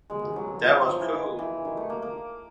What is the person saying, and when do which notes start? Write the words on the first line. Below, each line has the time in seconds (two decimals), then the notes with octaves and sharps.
That was cool.
0.10 G#3
0.36 F#3
0.61 F3
0.75 F#3
0.88 F3
1.00 E3
1.13 D#3
1.39 E3
1.65 D#3
1.77 A3
1.90 A#3
2.02 A#3